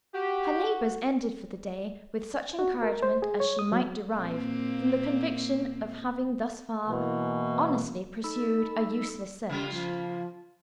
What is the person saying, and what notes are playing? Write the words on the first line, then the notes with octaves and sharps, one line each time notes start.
Her labors ended, for the day, with such encouragement as she might derive from the conviction of having, thus far, honestly pursued a useless search.
F#4 G4
F#4
A#4
C5
G#4
C#5
D#6
F#3
A#2 A#3 C4
B2 E3 A#3
D#4 A4 B5 E6
C#3 G3 A#3 F4
F3